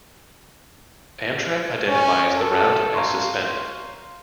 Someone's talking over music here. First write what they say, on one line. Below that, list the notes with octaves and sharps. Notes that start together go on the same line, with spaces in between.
Amtrak identifies the route as suspended.
C#4
A4
F5 A#5 C6 C#6